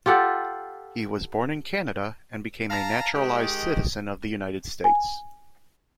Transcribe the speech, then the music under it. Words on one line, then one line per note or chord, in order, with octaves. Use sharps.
He was born in Canada and became a naturalized citizen of the United States.
F4 G4 A4 F#5
F5 A5 A#5
D#3 G#3 G4 D#5
G#5